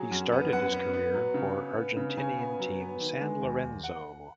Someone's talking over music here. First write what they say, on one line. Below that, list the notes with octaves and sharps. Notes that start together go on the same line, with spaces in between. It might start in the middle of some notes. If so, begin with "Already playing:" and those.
He started his career for Argentinian team San Lorenzo.
Already playing: F#3 G#4
F#2
B3
F#2 F#5
B3
B3
F#3
C#3
B3
B3
C#3
C#3 G#5
B3
F#3
B3
D#3
G#3
D#2
D#2
F#5